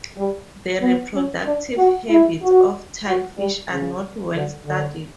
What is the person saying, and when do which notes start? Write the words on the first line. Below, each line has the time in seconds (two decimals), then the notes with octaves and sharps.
The reproductive habits of tilefish are not well studied.
0.17 G3
0.81 B3
1.13 C#4
1.45 D4
1.77 F#4
2.09 E4
2.42 F#4
3.06 F#4
3.37 G3
3.70 C#3
4.34 D3
4.65 D3